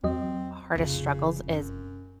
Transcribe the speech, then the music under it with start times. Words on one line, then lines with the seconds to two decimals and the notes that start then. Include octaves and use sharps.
hardest struggles is
0.04 E2 F#3 C4 D#5
0.75 F1 C#3 F4
1.46 F#2